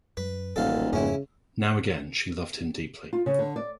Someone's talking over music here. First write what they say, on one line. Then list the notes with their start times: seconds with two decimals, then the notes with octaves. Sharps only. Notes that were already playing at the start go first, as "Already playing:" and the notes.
Now again she loved him deeply.
0.17 F#2 B4
0.56 D#1 A1 F#2 A4 F5
0.93 F2 G#2 C#3 A3 C#4 E4
3.13 F4
3.26 C#3
3.39 D3
3.56 D5